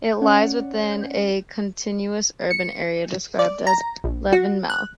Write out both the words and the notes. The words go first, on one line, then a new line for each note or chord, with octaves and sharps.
It lies within a continuous urban area described as Levenmouth.
C#4 C#5 D5 F#5
C#7
D5
A#5
A#1
F#4
F#6